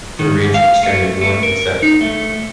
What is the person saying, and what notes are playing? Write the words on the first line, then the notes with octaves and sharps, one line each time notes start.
The ridge extended north and south.
D#3
G#2
F5
A3
A3
A#4
D#4
A3